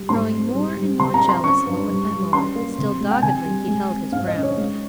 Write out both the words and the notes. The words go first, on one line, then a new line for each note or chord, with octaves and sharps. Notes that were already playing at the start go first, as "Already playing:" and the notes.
Growing more and more jealous moment by moment, still doggedly he held his ground.
Already playing: G3
G#2 C6
C4
G3
G3
C3 C6
A#5
C4
C6
C#4 C#6
G2
G3
G3
C#4 C6
A#3
C3
G#3
G5
C3 G#5
G3
G#3
C4
G#2 F5
D#5
C#4
C#5
G#3